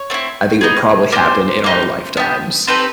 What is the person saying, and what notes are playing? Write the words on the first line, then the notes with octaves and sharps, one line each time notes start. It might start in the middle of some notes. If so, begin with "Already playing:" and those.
I think it would probably happen in our lifetimes.
Already playing: C#5
A3 C4 E4
B3 D#4 G#4
D4 G4 A#4 C5
A#3 D#4 G4
B3 D4 G4
C4 D#4 G4 A4 B4